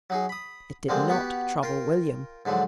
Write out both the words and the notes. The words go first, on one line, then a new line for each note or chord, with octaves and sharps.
It did not trouble William.
F#3 D#4 G#4
B5 D#6
D3 F3 G3 G#3 A#3 C4
B3 F#4 G4
F4 A#4 G5 C6
G#2 D3 F3 F#3